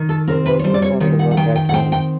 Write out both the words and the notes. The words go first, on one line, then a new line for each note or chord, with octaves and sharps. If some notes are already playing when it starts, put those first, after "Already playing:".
Fuller took on the work at home.
Already playing: D#3
A4
C4 A#4
B4
C#5
G3 C5
D5
C#5
D#3 C#5
F#5
F#5
D#3 G5
G5
F#5
C4 G5
G5